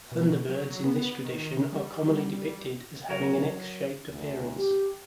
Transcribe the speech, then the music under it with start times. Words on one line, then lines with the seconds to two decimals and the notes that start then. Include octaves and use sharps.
Thunderbirds in this tradition are commonly depicted as having an X-shaped appearance.
0.12 B2
0.48 F#3
0.84 B3
1.23 D#3
1.72 G3
3.09 F#3 F#4 A#4 A#5
4.10 D2
4.58 G4